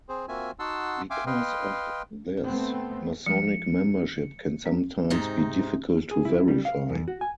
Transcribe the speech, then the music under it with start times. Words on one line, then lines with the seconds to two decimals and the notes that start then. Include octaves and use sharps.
Because of this, masonic membership can sometimes be difficult to verify.
0.09 C4 G#4 C5
0.28 A#3 C4 F4 F#4 E5 G#5
0.59 D#4 F#4 F#5 A5 C6 E6
1.10 E5 F5 G5 G#5 C6 D6
1.27 B4 D#5 F5 G5 C6
2.44 A3 B3 C4
3.26 F3 G#3 C#7
4.66 C#4
5.10 G#2 C3 D#4
6.11 G#4
6.25 E4
6.48 G3
6.65 F5
6.89 E2
7.08 F#4
7.21 G#5